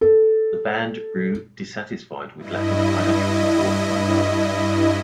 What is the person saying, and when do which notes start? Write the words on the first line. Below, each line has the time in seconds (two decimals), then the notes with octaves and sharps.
The band grew dissatisfied with lack of financial support from Gull.
0.01 A4
2.37 G2 E4 D#5